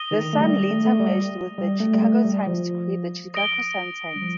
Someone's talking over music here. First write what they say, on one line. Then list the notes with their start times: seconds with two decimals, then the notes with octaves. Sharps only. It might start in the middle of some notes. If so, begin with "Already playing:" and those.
The Sun later merged with the "Chicago Times" to create the "Chicago Sun-Times".
Already playing: D#6 A#6 D#7 G7
0.11 D#3
0.33 A3
0.41 G3
0.71 A3
0.85 A3
1.00 G3
1.58 G3
1.80 A3
1.94 G3
2.02 A3
2.25 G3
2.47 F3
3.34 D#6 A#6 D7 G7
4.16 G3
4.22 F3